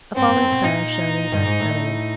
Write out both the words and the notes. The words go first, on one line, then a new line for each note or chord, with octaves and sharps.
A falling star shone in the dark firmament.
G#2 C4
G2
F2
F#2
B2
A#2 D#4
G2
G#2
A2